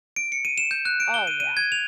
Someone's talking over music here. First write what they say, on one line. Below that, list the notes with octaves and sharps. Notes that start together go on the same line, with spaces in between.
Oh, yeah.
D7
C#7
D#7
E7
G6
F#6
D7
G7
D#7
D#7
G#6
F7